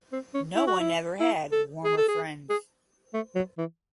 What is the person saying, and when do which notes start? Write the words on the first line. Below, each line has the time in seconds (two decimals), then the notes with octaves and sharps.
No one ever had warmer friends.
0.12 C4
0.34 C#4
0.55 E4
0.67 F#4
0.79 E4
1.20 E4
1.52 A4
1.84 G#4
1.97 A4
2.08 G#4
2.50 G#4
3.14 A3
3.35 F#3
3.58 E3